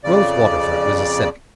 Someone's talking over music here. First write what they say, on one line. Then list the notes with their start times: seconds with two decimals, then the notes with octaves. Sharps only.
Rose Waterford was a cynic.
0.04 F2 C#3 D5